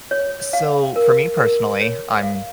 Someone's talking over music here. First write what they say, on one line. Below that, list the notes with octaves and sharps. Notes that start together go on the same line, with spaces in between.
so, for me personally, I'm
C#5
F5
A#4
A#4
C#5
F5